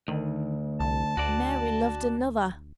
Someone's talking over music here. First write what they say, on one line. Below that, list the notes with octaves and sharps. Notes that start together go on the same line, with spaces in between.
Mary loved another!
D2 D#3
C2 A5
D2 F#4 D5